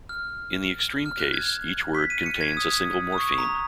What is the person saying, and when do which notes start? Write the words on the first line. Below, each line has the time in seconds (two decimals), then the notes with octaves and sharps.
In the extreme case, each word contains a single morpheme.
0.09 F6
1.06 F6
1.20 F#6
1.33 G#6
1.95 B6
2.10 D#7
2.26 C#7
2.41 G#6
2.57 D#6
3.13 D#6
3.18 C#6
3.38 A#5